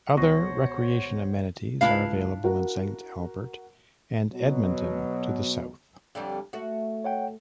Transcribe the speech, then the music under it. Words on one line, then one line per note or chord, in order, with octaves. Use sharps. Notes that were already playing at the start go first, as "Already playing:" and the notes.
Other recreation amenities are available in Saint Albert and Edmonton to the south.
C#2 B2 C5 C#5 F#5 C#6 A#6
C#2 D4 E4 F5
F#4 A#4
B2 F#3
F2 D3 G3
A3 F#4
C#5 F#5 G5